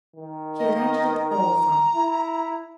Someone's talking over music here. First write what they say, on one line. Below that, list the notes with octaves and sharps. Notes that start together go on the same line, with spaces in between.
She arranged it all for me.
D#3
D#5
A#5
E4